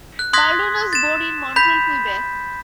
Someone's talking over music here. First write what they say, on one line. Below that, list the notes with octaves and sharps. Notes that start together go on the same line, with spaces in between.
Baldwin was born in Montreal, Quebec.
F#6
C6 D#6 F#6 G#6 A#6 B6
A6 E7
B5 G6 B6